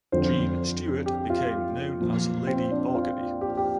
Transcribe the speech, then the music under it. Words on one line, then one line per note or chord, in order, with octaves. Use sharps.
Jean Stewart became known as "Lady Bargany".
F2 D3 F3 C5
G4
F4
A#2 F3
C4
D4
F4
G4
G4